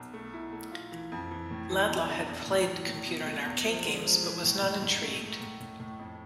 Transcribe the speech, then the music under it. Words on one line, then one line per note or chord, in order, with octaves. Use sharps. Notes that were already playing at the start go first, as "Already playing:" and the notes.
Laidlaw had played computer and arcade games, but was not intrigued.
Already playing: B1
A3
E4
A3
F4
E3
F2
E3
A2
E3
E2
D3
E2
A2
E3
A2
B2
A3
E2
F3
G#3
F3
E3
A2
A2
G#2
A3
A3
A2
A2
A2
F2